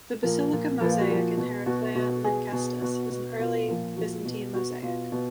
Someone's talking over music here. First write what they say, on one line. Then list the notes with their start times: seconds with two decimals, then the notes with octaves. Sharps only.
The Basilica Mosaic in Heraklea Lynkestis is an early Byzantine mosaic.
0.23 A#2 F3 A#4
0.52 A#2 F3
0.81 A#2 F3 B4
0.90 F4
1.00 F#4
1.10 A#2 F3
1.37 B2
1.66 B2 F#4
1.95 B2 F#4
2.24 B2 G#4
2.52 B2
2.81 B2 F#4
3.10 B2
3.39 B2 F4
3.68 A#2 F3
3.96 A#2 F3 F#4
4.25 B2
4.53 B2 F#4
4.82 B2 F4
5.12 B2